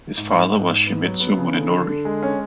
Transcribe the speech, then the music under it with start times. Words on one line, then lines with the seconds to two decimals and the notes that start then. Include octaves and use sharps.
His father was Shimizu Munenori.
0.17 G#2
0.36 G#2
0.52 G#2
0.69 G#2
0.87 B3
1.04 F#3
1.20 B3
1.38 C#3
1.54 D3
1.71 D3
1.89 D3
2.05 G#3
2.23 C#4